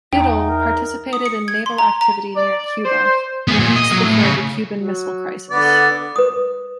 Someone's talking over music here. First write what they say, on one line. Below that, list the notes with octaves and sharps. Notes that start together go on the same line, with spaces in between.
"Biddle" participated in naval activity near Cuba in weeks before the Cuban Missile Crisis.
E2 D#4 G5
A#4
D#6
C#7
G#6
C6
A#5
A#5
D5
C5
B3 G#4
A#2
D#5
F#3
A2
C#3
F#3
D3 B3 D5
B4 D#6